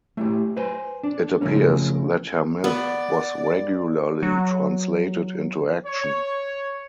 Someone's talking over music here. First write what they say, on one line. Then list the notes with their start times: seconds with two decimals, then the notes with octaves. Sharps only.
It appears that her myth was regularly translated into action.
0.17 A3 E4 G4
0.56 B4 C5 G#5 C6
1.03 D4
1.41 C#3 F3 A3 A#3 C#4
2.64 B3 D5
4.23 F#3
5.86 C#5